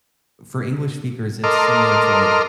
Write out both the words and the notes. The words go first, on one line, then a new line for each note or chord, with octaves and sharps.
for English speakers, it's similar to, like,
A4 A#4 D#5 C6 D6 F6